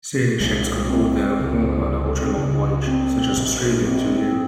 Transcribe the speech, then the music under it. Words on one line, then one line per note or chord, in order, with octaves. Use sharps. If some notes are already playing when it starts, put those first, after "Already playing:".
Sailing ships could hold their own on ultra-long voyages such as Australia to Europe.
C2 A#2 G#3
C4
C#2 C3
C#2 C#3
C4
A#1 A#2
C4